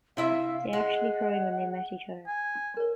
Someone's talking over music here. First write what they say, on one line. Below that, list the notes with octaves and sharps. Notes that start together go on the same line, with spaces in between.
They actually cried when they met each other.
C3 E4 E5 F5
G#3 F#5
G#5
A#4 C#5